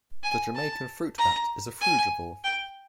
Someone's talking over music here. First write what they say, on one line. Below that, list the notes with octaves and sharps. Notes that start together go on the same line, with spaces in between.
The Jamaican fruit bat is a frugivore.
G#5
A5
A#5
G#5
G5